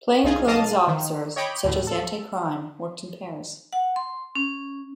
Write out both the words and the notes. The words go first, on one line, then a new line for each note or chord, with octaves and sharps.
Plain clothes officers, such as anti-crime, worked in pairs.
C2 D#4 F4 G#4
B1 A#4 D#5 F5 A5 D#6
D#3
C#5 D#5 G5 B5 D6
D2 A2
A4
F#5
C6
C#4